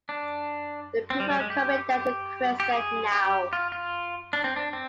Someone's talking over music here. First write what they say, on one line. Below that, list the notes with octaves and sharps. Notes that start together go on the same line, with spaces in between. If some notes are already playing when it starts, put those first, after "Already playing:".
The people are coming down the crescent now.
D4
C4
G3
G3
G#3
G4
G4
G4
G#4
G4
F4
F4
D4
C4
D4
C4